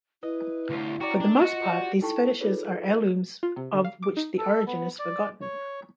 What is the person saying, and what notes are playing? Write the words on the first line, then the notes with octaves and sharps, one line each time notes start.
For the most part these fetishes are heirlooms of which the origin is forgotten.
E4 B4 D#5
D2 C#4 F4 G4
C#4 F#4 A#4 D5 G5
D4
F4 F#4 D#5
G4 D5 F#5
D#4 E4 A4 G5 A5 C#6
D#4 F4 G#4 A4 B4 C#5
F4
C3
D3
F5
D6
D#4
A4
B3
D5
C#5